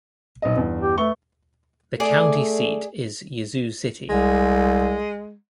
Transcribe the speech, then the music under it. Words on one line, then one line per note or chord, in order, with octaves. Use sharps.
The county seat is Yazoo City.
B1 D#5
G1 E2
G4
A3 B4 C#6 G7
A3 G#4 D5
C2 G#3